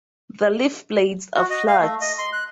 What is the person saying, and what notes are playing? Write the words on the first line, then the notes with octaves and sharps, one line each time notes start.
The leaf blades are flat.
F#4
D#5
F5
A3
D#5
C6
F#6